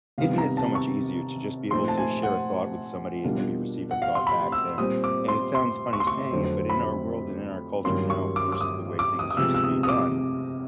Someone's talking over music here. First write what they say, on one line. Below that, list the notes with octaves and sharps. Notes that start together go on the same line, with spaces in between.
isn't it so much easier to just be able to share a thought with somebody and maybe receive a thought back then, and it sounds funny saying it, but in our world and in our culture now versus the way things used to be done,
C3 D#3 G3 B3 D#4 F5
A#5
A5
C#6
A#2 F3 A3 C4 D#4 C6
A5
G#5
F#5
B2 G3 A#3 D4 F4
F#5
F5
C6
B5
E6
A#2 G3 C4 D#6
D6
C6
C6
C#6
C6
C#6
F2 D3 F#3 A3 C4
B5
G2 D#3 F#3 A#3 C#4 C6
C#6
D6
D6
D#6
D6
D#6
D#6
C3 F3 G#3 B3 E6
E6
D#6
D#6
D6